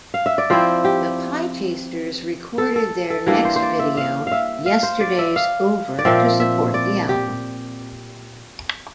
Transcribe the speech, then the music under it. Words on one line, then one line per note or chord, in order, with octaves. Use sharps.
The Pietasters recorded their next video, Yesterday's Over, to support the album.
F5
E5
D5
F3 C4 E4 C5
G4
A4
A4
A4
E3 G3 A#3 D4
C5
C5
D5
E5
F5
E5 F5
F5
C5
D5
E5
F5
D5
A#2 F3 C4 E5
E5
D5
G4